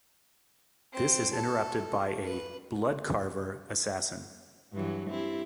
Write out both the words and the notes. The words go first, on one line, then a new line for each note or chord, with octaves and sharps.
This is interrupted by a "Blood Carver" assassin.
C4
A4
B4
G2 E3 F#3
C4 E4 G4